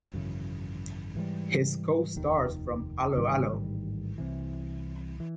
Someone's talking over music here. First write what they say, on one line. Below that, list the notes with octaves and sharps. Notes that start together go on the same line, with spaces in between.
His co-stars from 'Allo 'Allo!
G#1 F#2 C#3 E3
G#2 E3 G3
F1 D#2 D#3
A1 G#2 D#3 G3
C2 C3 E3
E3